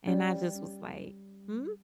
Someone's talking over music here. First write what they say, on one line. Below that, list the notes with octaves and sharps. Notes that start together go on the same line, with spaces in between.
and I just was like, "Hmm?"
G3 C#4